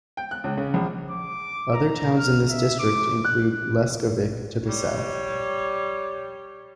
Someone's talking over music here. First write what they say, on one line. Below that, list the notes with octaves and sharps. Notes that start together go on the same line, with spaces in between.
Other towns in this district include Leskovik to the south.
G5
F#6
C#2
C#3
A#1
D6
A#5
F6
E5
D6
F#6
G3 C#5